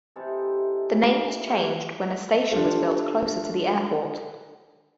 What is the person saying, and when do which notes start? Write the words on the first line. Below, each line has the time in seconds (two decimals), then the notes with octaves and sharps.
The name was changed when a station was built closer to the airport.
0.16 C3 E3 D#4 A4
0.90 A#2 E3
1.46 G3 A3 A#3 G4
2.52 D4 F4 G4 A4